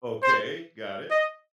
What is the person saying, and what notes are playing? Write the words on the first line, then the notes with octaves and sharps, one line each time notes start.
Okay. Got it.
C5
D#5